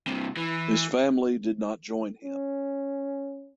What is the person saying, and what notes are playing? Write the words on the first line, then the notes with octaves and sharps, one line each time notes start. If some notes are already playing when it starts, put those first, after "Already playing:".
His family did not join him.
G2 C3
E3
C#4